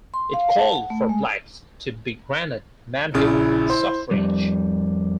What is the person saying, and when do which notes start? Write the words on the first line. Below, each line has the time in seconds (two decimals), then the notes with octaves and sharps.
It called for blacks to be granted manhood suffrage.
0.14 C6
0.34 F5
0.59 A5
0.72 F#5
0.90 A3
1.09 G#3
3.14 A#1 C#3 E4
3.70 C5
4.11 F2 C3 G3